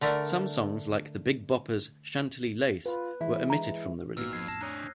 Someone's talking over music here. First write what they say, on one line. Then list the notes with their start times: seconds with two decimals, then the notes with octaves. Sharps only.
Some songs like The Big Bopper's "Chantilly Lace" were omitted from the release.
0.01 D3 A3 A#4
2.86 F4 B4
3.21 E3 G#3 E4
3.50 A#5
4.17 G#1 A#2 A#3 B3 D#4 F#4 E6 F6
4.33 F2 G#6 C7
4.48 F2 A2 A5 A#6
4.61 D4 C#5 A#5 D#6 F#6 G6